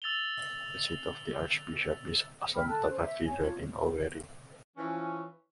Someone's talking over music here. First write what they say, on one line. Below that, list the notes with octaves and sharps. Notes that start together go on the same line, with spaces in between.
The seat of the archbishop is Assumpta Cathedral in Owerri.
E6 A6 F7 G7
G5 B5 E6 F6
A4 A5 F#6
C#4 C5
E5
C#5 G#5
D4 F4 C#5
E3 F3 C#4